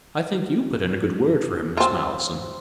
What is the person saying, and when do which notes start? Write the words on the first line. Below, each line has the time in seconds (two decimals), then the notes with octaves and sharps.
"I think you put in a good word for him, Miss Malleson."
1.77 C4 F4